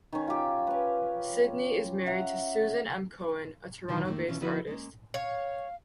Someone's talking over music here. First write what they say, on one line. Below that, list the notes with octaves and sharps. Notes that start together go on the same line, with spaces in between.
Sidney is married to Susan M. Cohen, a Toronto-based artist.
D#3 C#4
F4 G4
C#4 B4
E5 F#5 A#5
B2 D#3 E3 F#3
F2 D#3 F#3 A3 A#3
B2 E3 C#4 F4
D3 F3 B3 E4 F#4 B4
G#3 A#3 C#4
C#5 F5